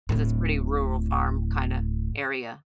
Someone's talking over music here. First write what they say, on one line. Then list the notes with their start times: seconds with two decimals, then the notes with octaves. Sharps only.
'Cause it's pretty rural farm kinda area,
0.09 D1 A2